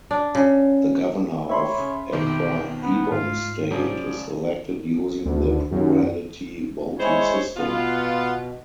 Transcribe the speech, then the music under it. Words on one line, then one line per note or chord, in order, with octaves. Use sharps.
The Governor of Akwa Ibom State is elected using the plurality voting system.
D4
C#3
C#5 E5 B5 C6
C#3
F2 B2 D#3 G4
B3
G#2 F4
C#3 F3 F#3 D5
D2
F#2
G#3 E4 G#4 C5 C#5
B2 B3 F4